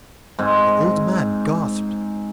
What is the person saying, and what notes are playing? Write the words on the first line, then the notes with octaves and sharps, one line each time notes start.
The old man gasped.
G#2 C4